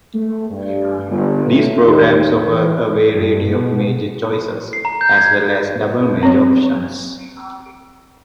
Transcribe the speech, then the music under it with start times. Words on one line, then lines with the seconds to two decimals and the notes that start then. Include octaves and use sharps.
These programs offer a variety of major choices, as well as double-major options.
0.14 A3
0.50 G2
1.10 G1
1.49 A2
1.82 D#2
2.44 E3
3.13 G2
3.48 B2
4.73 C7
4.85 A#5
5.01 G6
5.18 G#6
6.23 C4 C#5